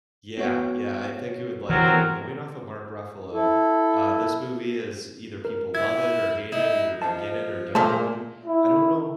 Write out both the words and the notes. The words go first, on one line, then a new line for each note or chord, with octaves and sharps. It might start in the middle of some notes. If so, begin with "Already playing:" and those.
Yeah. Yeah, I think you would like it. And going off of Mark Ruffalo, uh, this movie is either people love it or hate it, either they get it or don't, and I don't know
B3 F#4 C#5
E3 F#3 C4 A#4
E4 A4
A#4
E4 G#6
D#4 E4
F3 A5
A#2 A3 F4 G#4 C5 A5
E4